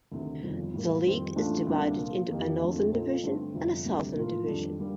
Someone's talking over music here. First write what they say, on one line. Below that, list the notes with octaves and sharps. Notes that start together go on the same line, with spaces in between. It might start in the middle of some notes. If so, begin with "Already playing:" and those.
The league is divided into a Northern Division and a Southern Division.
D2 C3 D#3
G1 F2 D#3
A2 G3 A#3
F2 D#3 G3 C4
A1 A2 A3 D4 F4
D2 C3 G3 A#3 D4
A#2 F3 A#3
F2 D#3 A#3 D#4 G4
F2 D3 A3 C4
A#2 F3 C4 D#4 A4
G2 D3 A3 C4
G1 F2 C3
D2 C3 G3
A2 F3 A#3 F4 A#4
F2 D#3 G3 D4 A4
D3 G3 A#3